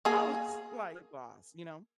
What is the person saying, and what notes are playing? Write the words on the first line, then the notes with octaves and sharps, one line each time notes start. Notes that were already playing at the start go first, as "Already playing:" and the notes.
I was, like, lip gloss, you know?
A#3 G#4